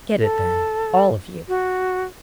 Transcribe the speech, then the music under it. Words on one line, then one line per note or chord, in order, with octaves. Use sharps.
'Get it, then--all of you.
A4
F#4